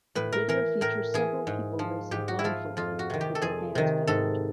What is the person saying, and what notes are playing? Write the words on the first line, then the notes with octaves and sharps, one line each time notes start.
The video features several people racing blindfolded, with their hands bound.
A2 B4
A#4
E3 A#4
A2 A#4
E3 G#4
G#2
F3
G#2 G4
F#4
E4
F3 F4
F2 F4
F#4
C3 D#3
G4
A4
F2 G#4
C3 D#3
G#2 A4